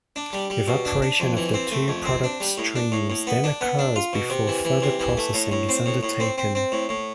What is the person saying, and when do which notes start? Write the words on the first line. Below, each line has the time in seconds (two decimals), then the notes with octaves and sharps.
Evaporation of the two product streams then occurs before further processing is undertaken.
0.16 D4
0.33 G3
0.50 G3
0.68 B2
0.85 D4
1.02 D4
1.20 F2
1.37 E3
1.54 C4
1.71 A3
1.88 F2
2.05 C4
2.24 D4
2.40 G3
2.58 A2
2.76 D4
2.92 A2
3.10 A2
3.27 B3
3.44 D4
3.61 B3
3.79 D4
3.96 F4
4.13 B2
4.30 C3
4.48 E3
4.65 E3
4.82 C3
4.99 E3
5.17 A3
5.34 A2
5.52 A2
5.69 C4
5.86 A2
6.03 A2
6.20 C4
6.38 C4
6.55 C4
6.72 A2
6.89 A2